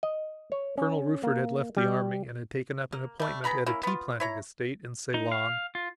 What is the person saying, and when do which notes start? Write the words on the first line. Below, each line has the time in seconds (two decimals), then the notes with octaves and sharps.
Colonel Rufford had left the army and had taken up an appointment at a tea-planting estate in Ceylon.
0.03 D#5
0.52 C#5
0.78 C#4
1.23 A#3
1.77 G3
2.92 A#3
3.20 G3 A3
3.44 B3 G#4 A#5 B5
3.66 A#3 C#4 E4
3.83 B3 F4
4.20 E4 C#5 A#5
5.14 D#4
5.32 F5
5.75 F4